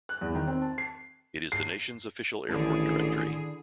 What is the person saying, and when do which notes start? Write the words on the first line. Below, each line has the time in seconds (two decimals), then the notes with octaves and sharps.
It is the nation's official airport directory.
0.09 F#6
0.21 E2
0.35 D#3
0.47 C4
0.62 A5
0.78 C7
1.52 C7
2.49 A1 D3 D#3 E4 G#4 A5